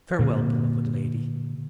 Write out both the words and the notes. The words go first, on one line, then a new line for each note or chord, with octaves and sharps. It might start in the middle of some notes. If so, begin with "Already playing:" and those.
'Farewell, beloved lady!
A#2 D3 A#3